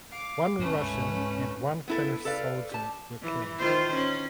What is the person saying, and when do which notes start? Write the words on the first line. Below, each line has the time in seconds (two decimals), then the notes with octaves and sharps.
One Russian and one Finnish soldier were killed.
0.10 F5 D6
0.59 C#2 G2 A3 C#4 B4
0.94 G#2
1.88 B3 E4 A4
2.25 A4 B4 D5 F5
2.72 G4 A5
3.22 E3
3.59 D#3 F4 C5
3.94 C#4